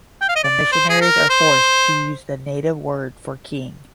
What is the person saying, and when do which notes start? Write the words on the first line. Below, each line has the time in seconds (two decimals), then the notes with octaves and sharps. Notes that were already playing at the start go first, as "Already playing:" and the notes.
The missionaries are forced to use the native word for king.
0.21 G5
0.29 F5
0.36 D#5
0.44 D5
0.72 C5
0.89 G#4
1.01 A#4
1.29 C5